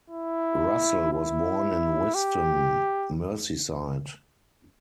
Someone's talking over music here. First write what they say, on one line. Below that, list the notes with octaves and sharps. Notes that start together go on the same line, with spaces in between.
Russell was born in Whiston, Merseyside.
E4
E4
G4